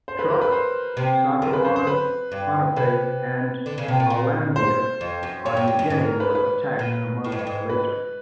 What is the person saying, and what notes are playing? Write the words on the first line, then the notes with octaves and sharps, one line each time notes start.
Truk, Satawan, Ponape, and Hollandia on New Guinea were attacked a month later.
C5
B4
A#4
B4
C5
C3
F#2 A#4
B4
C5
C5
B4
G2
C3 B4
D3
C#3
C3
A#2
A#2
C5
F2
F#2
G2 C#5
G2
G2
F#2
G#2
A#4
B4
B4
A#2
A2
G#2
G2
G#2
B4